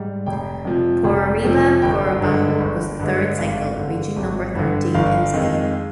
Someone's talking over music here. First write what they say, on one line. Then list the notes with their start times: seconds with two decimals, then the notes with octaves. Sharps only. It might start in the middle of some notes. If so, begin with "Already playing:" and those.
"Por Arriba, Por Abajo" was the third single, reaching number thirteen in Spain.
Already playing: G#2 G3
0.26 F1 G5
0.65 F2 C3 F3
1.04 F1
1.44 F2 C3 F3
1.82 G1 G5
2.21 G2 D3 G#3
2.60 G1
3.00 G2 D3 G#3
3.38 G#1 F5
3.77 G2 D3
4.17 G#1
4.55 G2 D3
4.94 G1 F5
5.34 F2 D#3 G#3